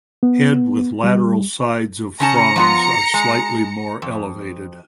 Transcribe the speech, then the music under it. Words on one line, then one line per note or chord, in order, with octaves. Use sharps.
Head with lateral sides of frons are slightly more elevated.
B3
G3
C#3 C#4 A5 A#5 C#7
F3 B3 F4
G#3
F2